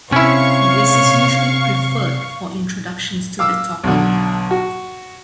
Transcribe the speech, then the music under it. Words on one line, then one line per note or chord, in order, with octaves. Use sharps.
This is usually preferred for introductions to the topic.
C3 C#4 E4 C#5 F5 C#6
F5 D6 E6
B1 B2 D3
F#4